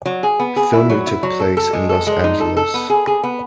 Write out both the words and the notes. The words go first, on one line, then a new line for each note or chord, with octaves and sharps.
Filming took place in Los Angeles.
F#3
G#4
B3
G#4
E4
F#3
E4
F#3
A4
A4
G#3
A4
G#3
D#4
A4
A4
B3
G#4
G#4
B3